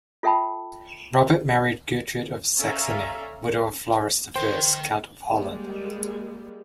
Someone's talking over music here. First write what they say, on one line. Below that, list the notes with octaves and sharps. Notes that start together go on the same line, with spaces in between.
Robert married Gertrude of Saxony, widow of Floris the First, Count of Holland.
F4 A4 E5 G5 A5 B5
C#4 A4 D5 E5 F5 A#5
A#4 C5 G5
G3 G#3 A#3